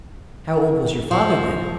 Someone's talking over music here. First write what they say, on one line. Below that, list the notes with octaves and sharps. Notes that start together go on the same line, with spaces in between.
"How old was your father then?"
F3